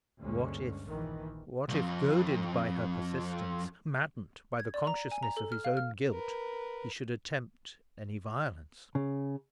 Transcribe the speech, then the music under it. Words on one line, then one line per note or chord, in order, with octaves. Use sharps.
What if--what if, goaded by her persistence, maddened by the consciousness of his own guilt, he should attempt any violence.
D2 G2 D3 G#3 A#3 C#4
A#1 D#3 E3
B1 F2
G#6
D5
A#5
G#5
A#5
A4
F6
F5
F6
A#4 B4
C#3